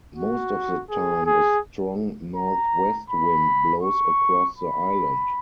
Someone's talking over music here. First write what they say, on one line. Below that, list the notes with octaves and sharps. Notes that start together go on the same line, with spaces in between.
Most of the time a strong northwest wind blows across the island.
F#4
G#4
G#4
A#5
B5
C#6
B5